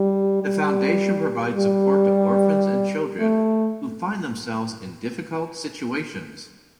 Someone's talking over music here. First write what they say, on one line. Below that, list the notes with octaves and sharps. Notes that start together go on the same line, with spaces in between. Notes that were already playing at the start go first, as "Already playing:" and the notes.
The foundation provides support to orphans and children who find themselves in difficult situations.
Already playing: G3
G3
G3
A3